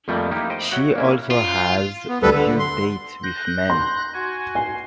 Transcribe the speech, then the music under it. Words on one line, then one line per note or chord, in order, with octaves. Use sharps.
She also has a few dates with men.
F2 F3 G3 A3 A#3
A#3 D#4 E4 G4
C5 D#5 G5
F#4 C#5 E5 F#5
A#3 C#4 E4
F4
B3
D2 G3 A4 B4
D3
C6
F#6 G6 A#6
C6
F#4 G#5
G#5 C6